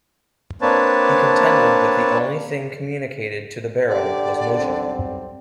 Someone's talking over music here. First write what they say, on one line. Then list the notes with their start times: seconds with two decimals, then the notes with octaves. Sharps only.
He contended that the only thing communicated to the barrel was motion.
0.62 A#3 C4 D4 B4 C#5 A5
3.89 D3 G4 D5
4.59 B1 G3 C4